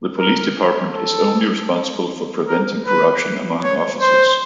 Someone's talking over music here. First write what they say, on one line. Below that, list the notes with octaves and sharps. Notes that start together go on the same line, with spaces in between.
The police department is only responsible for preventing corruption among officers.
A#4
A4
A#4
B4
C#5
C5